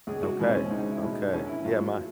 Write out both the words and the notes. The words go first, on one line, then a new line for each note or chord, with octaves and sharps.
Okay, okay. Yeah, my
C#2 G#4
F#4
B2 G#3
C4
C#4
C#2 D#4
E4
B2 G#3
D#4
A#1 C#4
E4
A2 F#3 F4
F#4